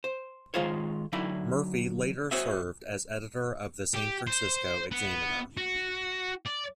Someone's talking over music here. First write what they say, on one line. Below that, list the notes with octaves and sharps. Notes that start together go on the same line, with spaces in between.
Murphy later served as editor of the "San Francisco Examiner".
C5
D#3 G#3 F4 C5 C#5
D3 F#3 D#4 E4 D5
F#4 C5 C#5 D#5 E5
G4
C5
B3
F#4
D5